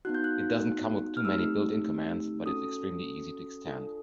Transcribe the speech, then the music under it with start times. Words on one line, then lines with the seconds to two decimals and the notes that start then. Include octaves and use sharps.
It doesn't come with too many built-in commands, but it's extremely easy to extend.
0.05 B3 D#4 F#4 F#6
0.15 G6
0.24 F#6
1.17 F6
1.25 A3 C4 D#4 G4 E6
2.46 C#4 F#4 A4 D#6
3.66 D4 F4 A4